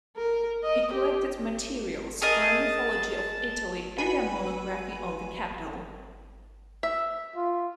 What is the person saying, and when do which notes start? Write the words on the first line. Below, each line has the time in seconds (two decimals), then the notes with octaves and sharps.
He collected materials for a mythology of Italy and a monography on the Capitol.
0.17 A#4
0.63 D#5
0.93 G4
2.22 G#4 A#4 D#5 A5
3.98 F#4 B4 G#5 B5 D#7
6.83 E5
7.36 F4